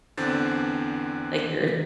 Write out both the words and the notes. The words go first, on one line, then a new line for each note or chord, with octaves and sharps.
like you're
E2 D3 C4 D4 A6